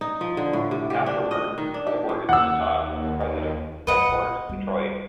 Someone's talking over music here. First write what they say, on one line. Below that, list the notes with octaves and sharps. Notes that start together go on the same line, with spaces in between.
Afterwards, Cyborg is seen talking with the President in his headquarters in Detroit.
D#4
F3
D3
A2
C3
G4
D4
D#5
D#3
D4
G4
A2
D#2 F#5 E6
F#2 B4 D#5 F#5
F2 A#2
D#2 G3